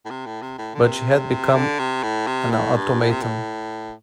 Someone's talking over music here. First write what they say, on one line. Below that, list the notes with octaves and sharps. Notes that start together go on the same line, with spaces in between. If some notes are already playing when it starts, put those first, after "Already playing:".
But she had become an automaton.
A2
C3
A2
C3
A2
D3
C3
D3
C3
A2
C3
A2
G2
A2
C3
A2